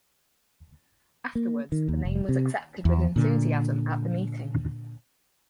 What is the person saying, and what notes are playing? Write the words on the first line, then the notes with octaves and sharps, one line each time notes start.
Afterwards the name was accepted with enthusiasm at the meeting.
A#3
D#3
D#2
F1
C3
E2
A#2 D3